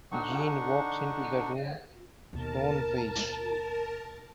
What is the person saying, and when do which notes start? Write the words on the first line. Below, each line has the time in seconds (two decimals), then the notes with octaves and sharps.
Jean walks into the room, stone-faced.
0.12 D3 D4 D#4 F#5 C#6
2.33 D#2 B2 A#4 A5